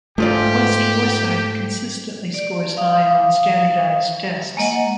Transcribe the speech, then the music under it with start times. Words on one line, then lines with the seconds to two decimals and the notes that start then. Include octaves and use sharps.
West Forsyth consistently scores high on standardized tests.
0.18 G#2 A3 F4 G4 D5
2.34 D5
2.77 F5 D#6
4.57 G#3 A#3 D#5 F#5